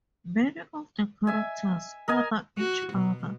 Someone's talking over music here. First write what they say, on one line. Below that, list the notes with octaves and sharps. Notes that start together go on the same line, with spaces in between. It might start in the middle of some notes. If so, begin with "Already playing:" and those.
Many of the characters "other" each other.
E5 G#5
A#4 D#5 G#5
F#4
B2